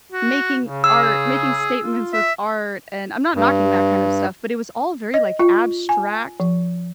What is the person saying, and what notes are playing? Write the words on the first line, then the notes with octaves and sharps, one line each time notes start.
making art making statements with art, and I'm not knocking that kind of stuff, but it was all very like abstract,
F#4
C#3
G#4 E6
F4
E5
G2
D#5
F4
G#5
F3